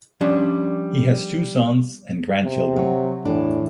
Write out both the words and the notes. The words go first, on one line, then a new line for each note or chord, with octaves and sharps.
He has two sons and grandchildren.
F3 G3 C#4 D4
C3
F#3 C#5
E2 A2 E3 D4